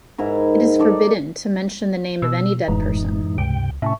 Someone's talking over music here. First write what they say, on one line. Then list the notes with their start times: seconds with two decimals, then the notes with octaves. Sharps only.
It is forbidden to mention the name of any dead person.
0.18 G#2 E4 A#4
0.79 D#4 A4 D5
2.22 B2 E6
2.68 E1 F#2 A2 E3 G#3 D#4
3.38 C#2 G2 C3 G5
3.82 A2 C3 C#4 E5 A5 C#6